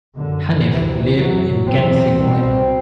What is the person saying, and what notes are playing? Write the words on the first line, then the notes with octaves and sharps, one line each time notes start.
Hanif lives in Kensington.
F#2 D3
D2 C3 E3
F#2 F#3
E2 B2 C4
C2 B2